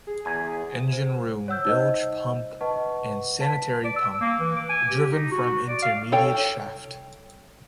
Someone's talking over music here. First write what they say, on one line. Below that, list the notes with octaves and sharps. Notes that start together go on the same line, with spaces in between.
Engine room bilge pump and sanitary pump driven from intermediate shaft.
G#4
E2 G#5
C5
C#5 F#5 E6 G6
D#4 C5 D#5
B4 D#5 F#5 A5 C#6
B4 A5 B6
D5
E6
A#3
E3
D6
G#5
G4
D#4
F#4
D5
F5
A4 C#5 G5